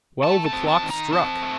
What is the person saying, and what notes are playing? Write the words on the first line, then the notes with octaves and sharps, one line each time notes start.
Twelve o'clock struck!
A3 A5
A5
C4
A5
D#3
A#5
C4 A5
A3